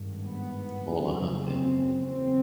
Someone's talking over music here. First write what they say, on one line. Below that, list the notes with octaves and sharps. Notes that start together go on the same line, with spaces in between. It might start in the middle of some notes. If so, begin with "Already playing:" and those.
All are happy.
Already playing: G#1 G2
B3
F#1 F#2 C#3
C4
F#1 E2 C#3 C4